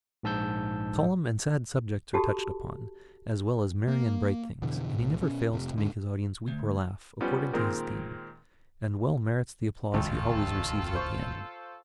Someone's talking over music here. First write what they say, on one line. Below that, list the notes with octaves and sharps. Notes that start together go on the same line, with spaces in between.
Solemn and sad subjects are touched upon, as well as merry and bright things, and he never fails to make his audience weep or laugh, according to his theme, and well merits the applause he always receives at the end.
A#1 G#2 A5 E6 G6
F#4 G4 A4 A5 B5
A#3
F2 B2 D3 E3
B1 A2
B2 C#4
F1 C3
D#2 G#2 D3
D2
F3 G3 B3 C#4
A#2 D#3 G#3 C4 A#4
D#1 G#1 C#2 F4 A4
C5 C#6